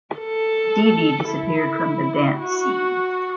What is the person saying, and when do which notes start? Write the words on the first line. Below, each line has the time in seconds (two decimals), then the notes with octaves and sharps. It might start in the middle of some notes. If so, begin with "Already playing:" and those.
Dee Dee disappeared from the dance scene.
0.20 A4
1.29 E4
2.39 F#4